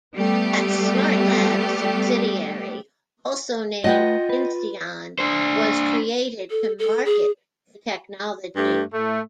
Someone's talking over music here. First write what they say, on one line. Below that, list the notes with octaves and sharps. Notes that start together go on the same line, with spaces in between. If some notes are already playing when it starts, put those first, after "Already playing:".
A Smartlabs subsidiary, also named Insteon, was created to market the technology.
G3 A3 B3 G4
A3 F4 B4 D#5 F#5 G5
B4
D4 C5
A4
A4
G#4
G2 A3 G4
A2 A3